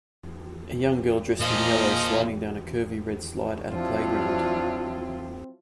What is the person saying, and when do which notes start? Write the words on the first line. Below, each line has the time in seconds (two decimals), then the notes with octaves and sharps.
A young girl dressed in yellow sliding down a curvy, red slide at a playground.
1.40 A#2 F3 D#5
3.71 F3 F#3 C4 D4 E4 F4